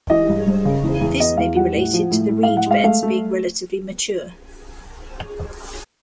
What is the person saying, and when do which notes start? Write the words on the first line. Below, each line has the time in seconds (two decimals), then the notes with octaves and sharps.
This may be related to the reed beds being relatively mature.
0.10 E3 D#5
0.28 G2
0.46 G2
0.65 C#3
0.83 E2
1.01 E2
1.20 B3 D#5
1.37 E2 F5
1.56 G3 F#5
1.74 A2
1.93 F3
2.11 A2
2.29 A2
2.43 A2 F5
2.57 F#5
2.66 G#3 F5
2.84 A3 F5
3.03 A3